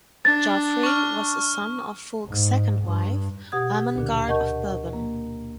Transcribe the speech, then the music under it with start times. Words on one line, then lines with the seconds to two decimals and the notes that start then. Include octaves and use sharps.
Geoffrey was a son of Fulk's second wife, Ermengard of Bourbon.
0.25 D4 A6
0.83 C#6 F6
2.27 G#2
2.83 G2
3.52 B2 G4 F#5 D#6 G#6
3.96 D2 A#2 D3
4.27 A#4 D#5 F#5 A5 C#6 G6
4.93 A#3